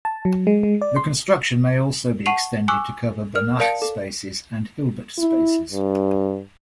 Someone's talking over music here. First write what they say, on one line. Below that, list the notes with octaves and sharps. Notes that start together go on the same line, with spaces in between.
The construction may also be extended to cover Banach spaces and Hilbert spaces.
A5
F#3
G#3
G#3
D5
C6
F#5 A5 C#6 C7 D#7 F7
G#5 C#6 D6 E6 F#6
A#4 F6
A#4 D5 F5 A5 C#7 D7
A4
E4
G2